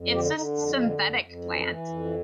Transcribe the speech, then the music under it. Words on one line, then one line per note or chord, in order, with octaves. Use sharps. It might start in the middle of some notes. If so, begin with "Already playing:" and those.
It’s a synthetic plant.
Already playing: F2
D3 G4
D3 D#4
F2 D4
D3 F4
F2
F2
E3
E3
F2